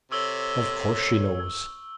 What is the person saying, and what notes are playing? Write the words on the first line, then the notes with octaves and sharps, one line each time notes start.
'Of course she knows.
C3 A4 C#5 C#6 E6 G7